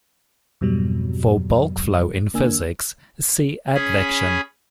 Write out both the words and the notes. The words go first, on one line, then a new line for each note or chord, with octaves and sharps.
For "bulk flow" in physics see Advection.
F2 G#2 B2 F#3 G3
D3 A#3 D4 G#5 E6
C#4 G#4 B5